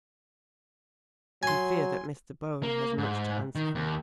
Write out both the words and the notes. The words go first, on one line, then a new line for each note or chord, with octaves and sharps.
We fear that Mr. Bohn has much to answer for.
F#3 G#5 C6
A#3
G#2
D#3
D#2